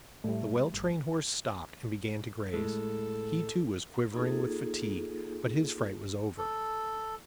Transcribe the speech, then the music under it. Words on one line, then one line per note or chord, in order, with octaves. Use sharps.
The well-trained horse stopped and began to graze; he too was quivering with fatigue, but his fright was over.
A2 G3 A3
G1
A2 G#3 A4
A#3 D#4 F4 G#4 A4
A4